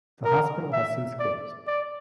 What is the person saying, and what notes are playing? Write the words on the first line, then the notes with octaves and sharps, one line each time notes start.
The hospital has since closed.
A#4
E5
D5
D5